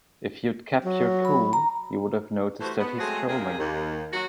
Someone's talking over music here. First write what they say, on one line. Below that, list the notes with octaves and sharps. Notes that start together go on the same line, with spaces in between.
If you'd kept your cool, you would've noticed that he's trolling.
F#3
B5
A#5
E3 G3 A3 F#4 C5
B3
F#3 G#3 A3 C4 F#4 G#4
D2 C3 G3 A#3 C4 G#4
D#2
F#3 F#4